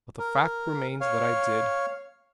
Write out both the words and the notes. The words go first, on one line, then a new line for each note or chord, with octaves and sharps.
But the fact remains that I did.
A#4
C#5 F5